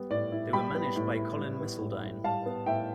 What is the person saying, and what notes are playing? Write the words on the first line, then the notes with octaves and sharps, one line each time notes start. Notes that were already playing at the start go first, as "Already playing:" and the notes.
They were managed by Colin Misseldine.
Already playing: G3 B3
A2 D5
E4
G3 G5 B5
B3
A2
E4
G3
B3
A2
E4
G3 F5 A5
B3
A2 E5 G5